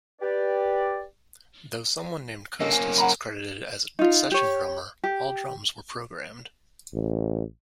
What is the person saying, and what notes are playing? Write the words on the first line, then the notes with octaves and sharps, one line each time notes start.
Though someone named "Kostas" is credited as a session drummer, all drums were programmed.
G4 B4 D5
A#3 C#4 D4 A4 D#5
G#5
F#5 A#5 B5
D#4 F4
G4 C#5
G4
A1